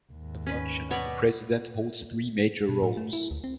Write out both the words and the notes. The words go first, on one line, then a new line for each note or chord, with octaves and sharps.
The function of the President holds three major roles.
D#2 G#2
C#4 B4
B2 B3 C#5 D5
B2
A2
A3
E4
D2
C4